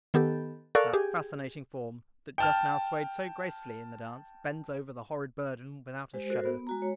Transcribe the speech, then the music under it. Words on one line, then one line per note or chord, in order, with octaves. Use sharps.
That fascinating form, that just now swayed so gracefully in the dance, bends over the horrid burden without a shudder.
D#3 B3 G4 A4
A4 A#4 D5 F5 C#6 F#6
G4 G#4
G5 A5 F6
G#3 G4 C5
F#4 A4 A#4 C5
B3
G#3 F#4 A#5
G#3 C#5